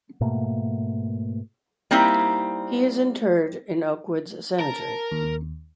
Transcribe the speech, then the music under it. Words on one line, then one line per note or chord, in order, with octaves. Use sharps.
He is interred in Oak Woods Cemetery.
G#2 B2 A3 A#3
G3 A#3 C4 D#4 E4
A#4 A5
D#2